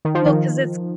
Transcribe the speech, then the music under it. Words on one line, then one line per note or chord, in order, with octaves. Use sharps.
Well, 'cause it's
D#3
F3
D#3